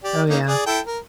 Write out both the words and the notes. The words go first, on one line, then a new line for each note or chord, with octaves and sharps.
Oh, yeah.
G4 D5
A#3 C#4 D#4
G#4 D5
E4 A4 G5
A#4